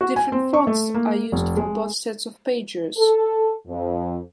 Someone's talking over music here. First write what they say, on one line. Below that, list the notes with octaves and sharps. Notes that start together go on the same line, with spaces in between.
Different fonts are used for both sets of pages.
F#4
G#5
C4
C#6
A3
A#3
F1
G#3
A4
F2